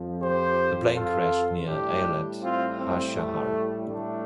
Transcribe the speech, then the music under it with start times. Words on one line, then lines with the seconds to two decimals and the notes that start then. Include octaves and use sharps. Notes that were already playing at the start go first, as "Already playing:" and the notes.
The plane crashed near Ayelet HaShahar.
Already playing: F2 F3
0.21 G4 C5
0.95 F4 A4
1.68 A2 G3 D4 G4
2.42 C4 F4
2.79 C4
3.15 A3
3.89 A3 D4